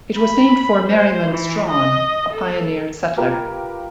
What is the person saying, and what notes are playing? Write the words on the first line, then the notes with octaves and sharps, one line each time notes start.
It was named for Merriman Straughn, a pioneer settler.
B5
C5
E3
D#5
A4
F4 G4 A#4 B4